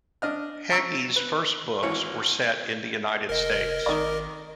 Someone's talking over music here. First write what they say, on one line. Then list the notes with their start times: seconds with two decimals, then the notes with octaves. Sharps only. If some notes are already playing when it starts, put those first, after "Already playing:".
Hegi's first books were set in the United States.
0.22 D4 D#5 F6
0.71 A#5 C#6 E6
1.16 B4
1.83 G#1 E3 C#5
3.29 F1 A#4 D#5
3.86 G#1 D#3 D5